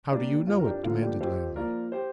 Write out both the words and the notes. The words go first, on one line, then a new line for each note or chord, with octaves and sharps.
'How do you know it?' demanded Lammle.
C3 G3 A#3 D4
F2 F4
A#4
D4 G4
D3 F3 A#3 F4
D4 G4
F2 G4 C5
F3 A#3 A#4 D5
G4 C5